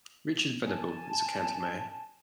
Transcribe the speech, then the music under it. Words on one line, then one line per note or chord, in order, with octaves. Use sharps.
Richard Venable is the county mayor.
G#5 A5